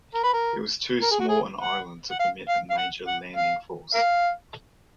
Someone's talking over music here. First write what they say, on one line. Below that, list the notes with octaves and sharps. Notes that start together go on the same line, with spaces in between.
It was too small an island to permit a major landing force.
A#4
B4
A#4
A#4
G#4
F#4
G#4
F#5
F#5
F5
F5
F5
F#5
F#5
F5
A#4 F5